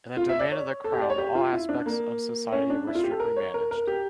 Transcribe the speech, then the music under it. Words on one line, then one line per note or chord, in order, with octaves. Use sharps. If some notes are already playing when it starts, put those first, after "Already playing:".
In the Domain of the Crown all aspects of society were strictly managed.
F4
E5
D5
C#5
A4
G4
D5
C#5
G4
F4
E4
D4
A#3
C#4
D4
E4
F4
G4
A4
A#4
C#5
A#4
A#4
G4